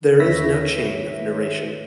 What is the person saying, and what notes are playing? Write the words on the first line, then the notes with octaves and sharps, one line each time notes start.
There is no chain of narration.
D#2 B4 C#5 E5 A#6 B6